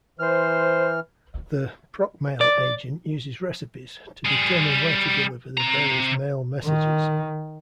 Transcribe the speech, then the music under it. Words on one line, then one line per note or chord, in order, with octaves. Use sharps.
The procmail agent uses recipes, to determine where to deliver the various mail messages.
E3 C5 F6
D5
G3 G#4
C3 A#5
D#3